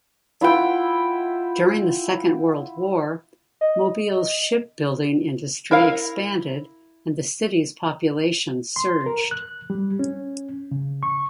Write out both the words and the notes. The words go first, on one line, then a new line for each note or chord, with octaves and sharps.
During the Second World War, Mobile's shipbuilding industry expanded and the city's population surged.
E4 F4 F#5 G5
D#5
E4 A#4 F5
C6
A#4
F#6
G3
C#4
C#3
C#6